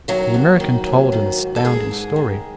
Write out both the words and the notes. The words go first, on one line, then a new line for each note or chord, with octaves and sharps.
The American told an astounding story.
D#3 F#3 F#4
D#2
D#3
D#2
D#3
G#2
A4
D#3 G#3 G#4
G#2
D#3